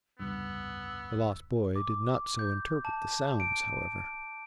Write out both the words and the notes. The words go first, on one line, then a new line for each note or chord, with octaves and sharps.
The lost boy did not so interpret the sounds, however.
F1 C#2 G2 B3 E6
D6
G6
A5
D7